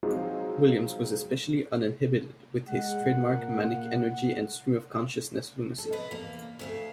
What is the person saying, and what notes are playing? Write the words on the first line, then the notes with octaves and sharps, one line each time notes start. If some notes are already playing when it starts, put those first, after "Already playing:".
Williams was especially uninhibited with his trademark manic energy and stream-of-consciousness lunacy.
F3 F#3 G#3 C4 D#4 F4
G#3 F#5
A#2
A4
G#2 B4 D#5
E2 A#3
D2 A3 F5